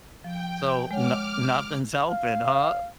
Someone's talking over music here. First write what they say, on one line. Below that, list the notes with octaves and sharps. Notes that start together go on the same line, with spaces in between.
So, no nothing's helping, huh?
F3 G5
G#3 C#5 F#5 D6 F6
F5